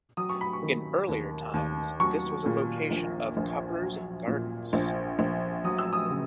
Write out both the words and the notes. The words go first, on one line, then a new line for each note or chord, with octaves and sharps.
In earlier times, this was the location of Cuper's Gardens.
F#3 D#6
C#6
B5
C#6
D#3
D#2
D#2
F#3 C#6
A#2
A#1
A#1
F#3
A#2
A#1
A#1
F#3 D#6
E6
D#6
C#3